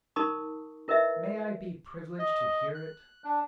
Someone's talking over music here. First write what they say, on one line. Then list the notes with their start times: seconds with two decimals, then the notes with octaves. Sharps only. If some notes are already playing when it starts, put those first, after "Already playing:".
May I be privileged to hear it?
0.16 D#4 A#4 A5 B5 C#6 D#6
0.88 E4 A#4 B4 D#5 E5
2.19 D#5
2.75 F#6
3.25 D4